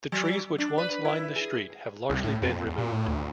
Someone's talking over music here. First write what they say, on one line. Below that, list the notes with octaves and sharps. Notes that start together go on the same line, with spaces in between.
The trees which once lined the street have largely been removed.
F#3
D4
B4
E4
G#4
C2
A2
F2
E2
A#2
A2
D2